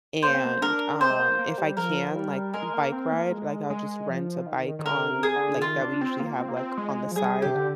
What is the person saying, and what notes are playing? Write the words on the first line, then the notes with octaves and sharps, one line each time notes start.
and, um, if I can, like, bike ride, like, I'll just rent a bike on, like that we usually have, like, on the side,
A#3 C5
C4
A#3
D4 A#4
C4 C5
G#3
A#3
A#3
G3
F3 A#4
G3
G#3 A#4
A#3
C4
A#3
G#3
G#3
F3
D#3
D#3
D3 A#4
C3
G#4
D3
D#3 F4
D4
C4
A#3
C4
A#3
C4
G#3
F3
G3 G#4
C3 G4
D3